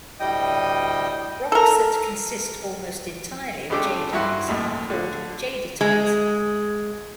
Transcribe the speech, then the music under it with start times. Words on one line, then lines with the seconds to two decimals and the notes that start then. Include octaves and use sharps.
Rocks that consist almost entirely of jadeite are called jadeitite.
0.20 D2 A2 G3 D#5 G5 D#6
1.52 A4 A#4
3.70 G#1 C#3 D4 G4 A4 D6
4.13 G2 E4 F#4 F#5 C6
4.48 A1 D#2 A2
4.90 D3 A3
5.81 G#3